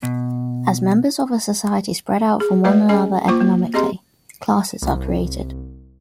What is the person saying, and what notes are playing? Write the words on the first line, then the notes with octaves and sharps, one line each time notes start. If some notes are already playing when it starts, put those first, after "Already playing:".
As members of a society spread out from one another economically, classes are created.
B2
G#4
G#3 A3 F#4 B4 D5 D#5
C#4 G#4 D#5 G#5
A#3 F4 C5 C#6 D6
A#3
C4 G4 G#4 D#5 A#5 C6
C2